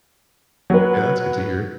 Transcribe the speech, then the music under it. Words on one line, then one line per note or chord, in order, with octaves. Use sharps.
Yeah, that's good to hear.
F#3 B4